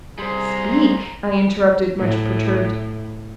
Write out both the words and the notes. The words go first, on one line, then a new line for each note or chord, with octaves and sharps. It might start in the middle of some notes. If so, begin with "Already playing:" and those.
"Speak," I interrupted, much perturbed.
G3 G#4 C5 A#5 C6
A2